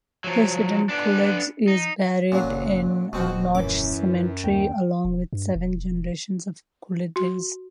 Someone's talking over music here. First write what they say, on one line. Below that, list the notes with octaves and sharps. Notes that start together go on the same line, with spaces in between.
President Coolidge is buried in Notch Cemetery, along with seven generations of Coolidges.
F3 F#3
B3 D4
D#4
A#2 D3 F#3 C#4
F#1
D#1 B2 C4 F#4
F#2 E3 C#4 D6
D#2 G5
E1
G2
E1
F#4